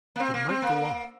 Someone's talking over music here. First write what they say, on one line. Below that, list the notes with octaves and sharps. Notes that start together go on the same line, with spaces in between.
"It might go off!"
A#3
C4
A#3
C4
A#3